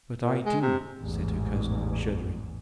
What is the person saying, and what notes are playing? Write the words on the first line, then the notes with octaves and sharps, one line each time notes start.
'But I do,' said her cousin, shuddering.
A#2
G#3
C3
A1 E2 G#2